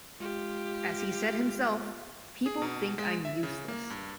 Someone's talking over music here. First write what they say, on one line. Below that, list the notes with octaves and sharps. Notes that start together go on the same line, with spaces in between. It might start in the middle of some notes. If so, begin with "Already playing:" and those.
As he said himself: People think I'm useless.
G#3 F4 G4
G#4
B2
G#3
E5
C#3
A#3
G2